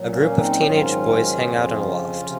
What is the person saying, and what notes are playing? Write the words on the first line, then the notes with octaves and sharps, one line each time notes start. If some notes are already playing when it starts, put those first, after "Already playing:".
A group of teenage boys hang out in a loft.
Already playing: A#2 F#3
A#3 C#4
C4 D#4
G#2 D#3 F#3 C#4 F4
F2 C#3 F3
C3 F3